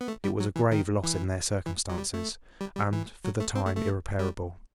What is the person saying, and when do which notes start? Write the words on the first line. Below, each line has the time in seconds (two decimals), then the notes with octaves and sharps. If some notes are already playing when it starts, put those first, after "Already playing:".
It was a grave loss in their circumstances, and for the time irreparable.
0.01 B3
0.08 A3
0.24 G3
0.40 F#3
0.56 E3
0.72 D#3
1.03 E3
1.66 E3
1.89 F#3
1.98 G3
2.14 A3
2.61 G3
2.77 G3
2.93 E3
3.25 F#3
3.40 A3
3.55 C4
3.66 A3
3.77 A3
4.19 G3